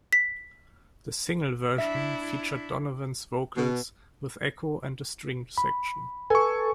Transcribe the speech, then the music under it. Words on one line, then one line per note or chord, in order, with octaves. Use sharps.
The single version featured Donovan's vocals with echo and a string section.
B6
D4 E4 E5
B2
B5
A4 B4 G#5 C#6